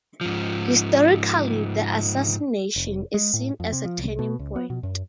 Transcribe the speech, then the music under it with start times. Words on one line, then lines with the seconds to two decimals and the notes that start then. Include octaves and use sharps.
Historically, the assassination is seen as a turning point.
0.21 G#2 F3
2.76 F1
3.14 G#3
3.34 A2
3.60 F2
3.72 C3
3.85 F3
3.98 C2
4.19 B2
4.39 C#2
4.56 B3
4.70 B2
4.83 F#2